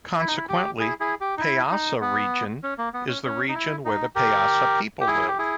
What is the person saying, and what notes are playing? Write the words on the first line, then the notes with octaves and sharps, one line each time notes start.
Consequently, "Paisa Region" is the region where the Paisa people live.
E4
D#4
E4
G4
E4 G#4
E4 G#4
G4
D#4
E4
D#4
B3
C#4
A#3
B3
C#4
C#4
D#4
E4
D#4
G4 A#4
G4
E4 G#4
G4
E4 G#4